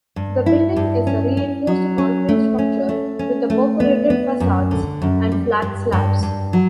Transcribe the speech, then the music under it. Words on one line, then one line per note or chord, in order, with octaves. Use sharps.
The building is a reinforced concrete structure with a perforated facades and flat slabs.
G2
E4
G2
C#4
C#4
F#3
C#4
A3
C#4
A3
C#4
A3
B3
B3
F#2
D3
F#2
G3
G2
G2
G2
F#3